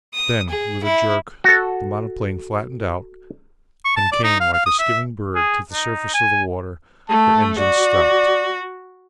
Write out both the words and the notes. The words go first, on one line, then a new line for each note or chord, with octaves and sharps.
Then with a jerk the monoplane flattened out and came like a skimming bird to the surface of the water; her engines stopped.
D#6
G#4
E4
F#4 A4
C#6
A5
D5
D#4
F5
F5
D#6
E5
G#4
D#4
G#5
A3 A5
F#4 D5